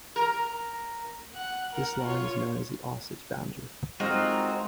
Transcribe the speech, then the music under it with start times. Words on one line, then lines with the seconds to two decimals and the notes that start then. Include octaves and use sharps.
This line is known as the Osage Boundary.
0.16 A#4
1.34 F#5 F#6
1.73 A#4 F#5
2.02 F4 C#5
4.00 G#3 C4 D#4 F4 F#4 A#4